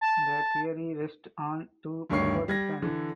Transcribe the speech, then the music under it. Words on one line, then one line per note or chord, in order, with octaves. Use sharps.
The theory rests on two propositions.
A5
D2 G2 D#3 C#5 C#6 C7
G3 G#6 A#6
D3 E3